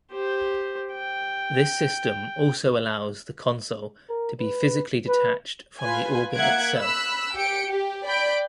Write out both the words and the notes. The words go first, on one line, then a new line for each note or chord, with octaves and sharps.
This system also allows the console to be physically detached from the organ itself.
G4 C5
G5
A#4
B4
B4
F4 B4 G#5
A#3 E5 F#5 F#6 G#6 D7
B5 E6 F#6
G4 G5 C#7 D7
G4
D5 G5 B5 G6 D7